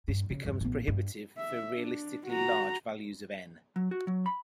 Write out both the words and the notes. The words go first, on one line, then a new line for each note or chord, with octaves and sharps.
This becomes prohibitive for realistically large values of "n".
G2
C#3
E2 G2
A1 B3
G2
E5
D4
F#4 A#5
F#3
F#4
F#3
B5